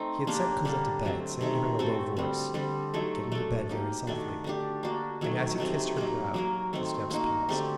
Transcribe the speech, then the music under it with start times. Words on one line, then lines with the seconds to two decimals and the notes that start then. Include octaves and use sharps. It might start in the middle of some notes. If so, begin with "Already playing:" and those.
He had sent Cosette to bed, saying to her in a low voice, "Get into bed very softly"; and as he kissed her brow, the steps paused.
Already playing: A3 C4 D#4
0.27 A#3 D4 G4 A#4
0.65 D3 G3 A#3 D4
1.03 D3 F#3 A3 C4
1.41 C3 D#3 A3 D#4
1.79 A3 C4 F#4 A4
2.17 D3 G3 C4
2.54 D3 G3 C4
2.94 F#3 A3 D#4 A4
3.32 A3 D4 A4
3.69 A#3 D#4 G4
4.07 D#3 A3 D4 F#4
4.44 D3 A3 D4 G4
4.83 A#3 D4 F#4
5.21 D#3 F#3 A3
5.58 C3 F#3 A3 D#4
5.96 F#3 A#3 D#4
6.34 F#3 A#3 F#4 A#4
6.73 D#3 A3 C4
7.10 A#3 D#4 F#4
7.49 D3 A3 C4 G4